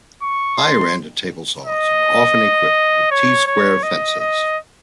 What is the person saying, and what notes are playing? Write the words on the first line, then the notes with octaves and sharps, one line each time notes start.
Higher-end table saws are often equipped with T-square fences.
C#6
C6
D#5
C#5
C#5
D#5
D#5